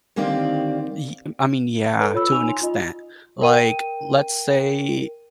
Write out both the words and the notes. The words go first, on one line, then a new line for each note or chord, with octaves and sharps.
y I mean, yeah, to an extent, like, let's say
D3 D#3 A#3 C4 G4 D5
A4 B4 C#5
F4 C#5 B5 E6
D#4 G#5 F7
C6
F4 D#5
A#4 G5 D#7